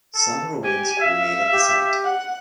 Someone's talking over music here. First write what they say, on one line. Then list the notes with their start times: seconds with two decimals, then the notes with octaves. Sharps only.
Some ruins remain at the site.
0.15 A4
0.64 G4 G#5
1.00 E5 F5
1.53 G4
2.05 F#5